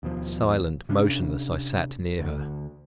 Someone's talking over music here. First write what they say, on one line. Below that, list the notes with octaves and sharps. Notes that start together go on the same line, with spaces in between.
Silent, motionless, I sat near her.
D#2 B2 F3
C3 C#4 D4
D2 D3